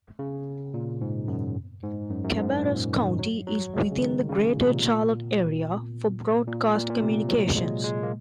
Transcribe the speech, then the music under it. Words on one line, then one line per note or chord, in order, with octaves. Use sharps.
Cabarrus County is within the Greater Charlotte area for broadcast communications.
C#3
A#2
G#2
F#2
G#2
F#2
F#2
G#2
A#2
D#3
F#3
F#3
G#3
C#3
D#3
C#3
A#2
C3
A#2
A#2
A#2
A#2
C3
F#3
G#3
G#3
A#3